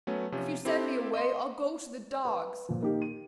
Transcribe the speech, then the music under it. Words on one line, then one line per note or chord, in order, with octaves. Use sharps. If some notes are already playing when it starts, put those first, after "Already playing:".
If you send me away I'll go to the dogs.
F#3 A3 B3 C#4
C3 F3 C#4
C4 E4 G4 A4
D#5 C6
B4
A#2 F3
D#3 A#3 D#4 G4
D#7